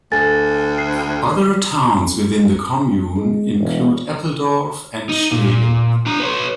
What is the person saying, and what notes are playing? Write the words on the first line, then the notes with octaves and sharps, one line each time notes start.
Other towns within the commune include Eppeldorf and Stegen.
D2 A4 G#5 A6
C7
G#3
E1
D#4
A#2
D4 A#5
B4 C#5